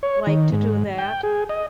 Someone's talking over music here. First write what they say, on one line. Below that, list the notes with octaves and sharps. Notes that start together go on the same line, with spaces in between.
like to do that,
C#5
D#3
G#2
G5
G#4
D#5